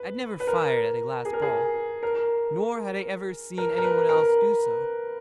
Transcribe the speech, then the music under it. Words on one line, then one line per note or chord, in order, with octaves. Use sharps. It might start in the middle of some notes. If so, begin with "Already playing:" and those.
I had never fired at a glass ball, nor had I ever seen anyone else do so.
Already playing: B4
B4
A#4
G#4
A#4
G#4
A#4
A#4
A#4
B4
A#4